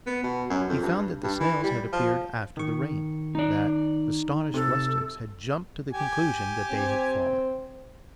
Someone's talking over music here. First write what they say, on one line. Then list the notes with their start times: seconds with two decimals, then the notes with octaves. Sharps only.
He found that the snails had appeared after the rain: that "astonished rustics had jumped to the conclusion that they had fallen."
0.07 B3
0.24 B2
0.50 F#2
0.69 F2
0.83 G2
1.23 G2
1.40 E3
1.64 G3
1.92 F3
2.57 D#3 C#6
3.35 D#4 D5
4.54 C3 A4
5.93 G4 G#5
6.71 C4